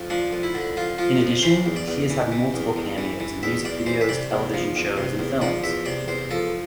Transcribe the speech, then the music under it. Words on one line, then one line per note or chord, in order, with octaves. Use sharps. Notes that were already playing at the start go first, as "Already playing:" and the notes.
In addition, he has had multiple cameos in music videos, television shows, and films.
Already playing: F2
F3 D4
F2
E4
D3
F2 F4
F3 F4
F2
E3 C5
E2
D5
E2
E3
E3
E2
E2
E3
E3
E2 E5
E2 D5
E3 C5
E5
C3 D5
E2
F3
E2
C3
E2
F3 D5
E2 E5
C3 D5
E2 C5
F3 A4